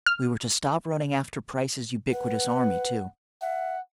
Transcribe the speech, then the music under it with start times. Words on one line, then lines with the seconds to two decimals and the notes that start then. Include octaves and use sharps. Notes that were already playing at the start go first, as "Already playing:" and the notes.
We were to stop running after Price's ubiquitous army too.
0.06 F6
2.13 B4 F#5
3.42 E5 F#5